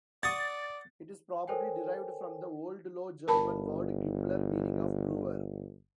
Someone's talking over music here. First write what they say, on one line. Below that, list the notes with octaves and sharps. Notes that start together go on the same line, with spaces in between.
It is probably derived from the Old Low German word "gibbler", meaning brewer.
D5 F#5 C#6 D#6 A6
A4 A#4 C5 C#5 G5 G#5
G1 A#4 A5 B5